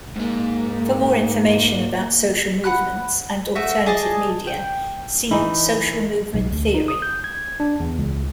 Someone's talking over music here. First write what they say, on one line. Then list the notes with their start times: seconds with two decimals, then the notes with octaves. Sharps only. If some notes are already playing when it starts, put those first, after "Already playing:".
For more information about social movements, and alternative media, see Social movement theory.
0.16 G#2 G#3 A#3
2.64 F#5 G5 B5 F#6
3.55 A3 F#4 E5
3.86 G#4 D5 D#5 A5
4.47 G5
5.31 E3 D#4
6.34 B1
6.51 D2
6.74 D#4
6.88 D#6
7.02 G6
7.24 G#6
7.60 D4
7.80 E2
7.98 C#2